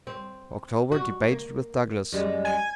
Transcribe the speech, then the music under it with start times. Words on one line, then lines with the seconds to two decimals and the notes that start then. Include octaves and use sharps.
October, debated with Douglas.
0.07 C4
0.92 F#4
1.28 A#3
2.12 F#2 G3 G#3
2.45 G#5